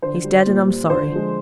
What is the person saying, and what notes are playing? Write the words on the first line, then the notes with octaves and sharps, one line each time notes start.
He's dead, and I'm sorry.
D3 C5
G3
A#2
G3
D3 C5
F3 G#3